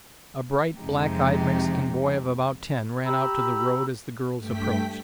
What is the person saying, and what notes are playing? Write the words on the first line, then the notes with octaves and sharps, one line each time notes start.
A bright, black-eyed Mexican boy of about ten ran out to the road as the girls approached.
F2 C3 F3 G#3 D#4 G4
G4 A#5 B5 E6
G2 A3 G5 B6